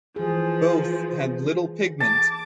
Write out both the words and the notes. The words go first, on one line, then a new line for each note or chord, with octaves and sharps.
Both had little pigment.
E3 F3 G#4
A5 D6